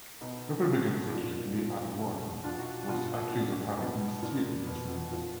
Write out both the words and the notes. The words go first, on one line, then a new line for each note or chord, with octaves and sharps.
Republican strategist Lee Atwater was accused of having initiated these rumors.
B2 B3 D#4
B2
A#2 F3
A#2 F3
B2
B2 D4 F4
D#4 F#4
B2 D4 F4
A#2 F3
B2 B3 D#4
A#2 F3
B2 B3
A#2 F3